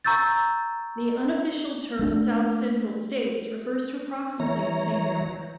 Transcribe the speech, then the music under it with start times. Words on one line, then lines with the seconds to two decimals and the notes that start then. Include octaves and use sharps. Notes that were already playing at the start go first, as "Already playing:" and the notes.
The unofficial term South Central States refers to approximately the same area.
0.05 A#5 C#6 E6 G6 A6
1.99 A3 C#4 D4
4.40 E3 C#5 A#5